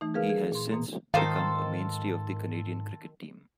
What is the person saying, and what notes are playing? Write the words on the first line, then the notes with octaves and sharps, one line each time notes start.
He has since become a mainstay of the Canadian cricket team.
E3 A3 D#4
G#4 A#4 B4 F5 F6
G#4
A#2 C6
B2 E3 A#3 C6
G#2 D#3 F4 A4 A#4 C5 F5